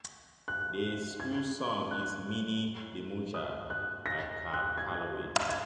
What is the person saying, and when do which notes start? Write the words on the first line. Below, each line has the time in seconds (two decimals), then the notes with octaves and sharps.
The school song is "Minnie the Moocher" by Cab Calloway.
0.48 F#6
1.20 G#6
1.91 F#6
3.34 D#6
3.70 F#6
4.06 A#6
4.54 F#6
4.78 G#6
5.49 G#6